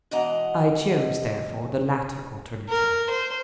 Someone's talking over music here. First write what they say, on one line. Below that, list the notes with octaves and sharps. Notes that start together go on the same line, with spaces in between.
I chose, therefore, the latter alternative.
G#2 B2 E3 D#5 F#5 A#5
A#4
C5